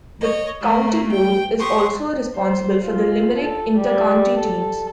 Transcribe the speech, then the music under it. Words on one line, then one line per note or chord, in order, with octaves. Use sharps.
The county board is also responsible for the Limerick inter-county teams.
C#5 D#5
A3 A#3
G5
G4 C6 C#6 D#6
C5
F4
A4
G3
A4